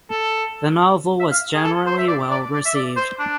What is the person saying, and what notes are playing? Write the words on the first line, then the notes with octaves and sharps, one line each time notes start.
The novel was generally well received.
A4
E5
F5
G#4
A4
C5
E5
D5
D5
D5
E5
D5
C5
D4